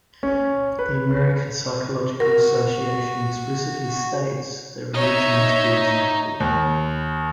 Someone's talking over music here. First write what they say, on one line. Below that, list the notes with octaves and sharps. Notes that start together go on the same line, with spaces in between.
The American Psychological Association explicitly states that religion must be respected.
C#4
B4
F#4 A#4
D#4 C#5 D#5 E5
D#2